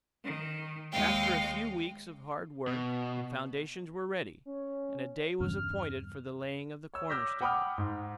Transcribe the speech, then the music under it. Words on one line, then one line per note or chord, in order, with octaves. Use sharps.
After a few weeks of hard work the foundations were ready, and a day was appointed for the laying of the corner-stone.
D#3
D#2 G#3 D#5 F5 G5
B2
C#4
E2 G2 C#3 F6
C#5 E6
D6 E6 F6 G6 A#6 B6
F#5 G5 B5 D6 D#6 F6
G#2